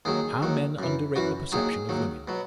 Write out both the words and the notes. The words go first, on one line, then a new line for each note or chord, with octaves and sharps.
How men underrate the perception of women!
D#2 D#3 F#3 G#4
D#2 D#3 F#3
F#2 E3
F#2 E3 F#4
D#2 D#3 F#3 G#4
D#2 D#3 F#3
B2 F#3